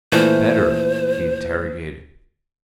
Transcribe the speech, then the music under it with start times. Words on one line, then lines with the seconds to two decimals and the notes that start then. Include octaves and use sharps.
"Better?" he interrogated.
0.12 A#2 E3 A3 C5